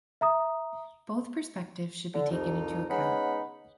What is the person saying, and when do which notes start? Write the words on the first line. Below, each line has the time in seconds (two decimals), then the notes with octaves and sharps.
Both perspectives should be taken into account.
0.21 E5 A#5 D#6
2.15 D3
2.31 C2 F2 D#4
2.90 G#3 B3 C#4 D#4 F#5 B5